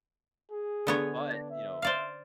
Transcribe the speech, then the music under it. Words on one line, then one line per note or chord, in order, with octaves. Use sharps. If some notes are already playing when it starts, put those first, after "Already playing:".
but, you know,
G#4
D3 B3 C#5
D4
E5
C5 D5 F5